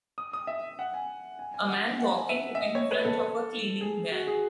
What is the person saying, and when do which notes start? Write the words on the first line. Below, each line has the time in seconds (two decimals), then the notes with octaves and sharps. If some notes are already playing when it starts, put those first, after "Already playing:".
A man walking in front of a cleaning van.
0.18 D#6
0.33 D#6
0.47 E5
0.79 F#5
0.94 G#5
1.39 G#5
1.54 G#5
1.69 F#5
1.99 F#5
2.14 G#5
2.29 E5
2.55 E5
2.61 D#5
2.75 C#5
2.91 B4
3.05 A4
3.81 G#4
4.12 F#4
4.27 G#4